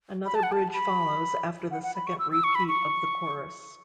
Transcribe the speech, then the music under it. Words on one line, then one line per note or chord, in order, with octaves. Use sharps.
Another bridge follows after the second repeat of the chorus.
B5
A5
F#5
A5
B5
F#5
F#5
B5
C#6
E6
E6
C#6
B5
C#6